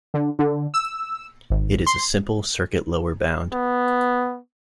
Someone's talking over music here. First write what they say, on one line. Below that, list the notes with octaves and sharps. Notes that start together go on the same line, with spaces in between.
It is a simple circuit lower bound.
D3
D3
E6
G#1
C6
B3